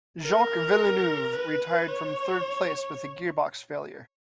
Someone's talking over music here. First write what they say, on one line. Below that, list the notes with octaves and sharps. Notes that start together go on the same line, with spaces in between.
Jacques Villeneuve retired from third place with a gearbox failure.
A#4
B4
C#5